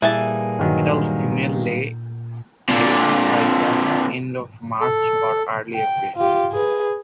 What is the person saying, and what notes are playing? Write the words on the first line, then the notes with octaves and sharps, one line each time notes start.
Adult female lays eggs by the end of March or early April.
A#2 E3 G3 A#3 G#4 E5 A5
G1 D#3 F#3
A#2 D3
A4
G5
F4 G4
G#4 B4